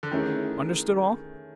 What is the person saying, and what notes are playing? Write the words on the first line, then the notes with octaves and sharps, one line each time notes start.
Understood all?'
D3
D#3 A3 C#4 E4 G#4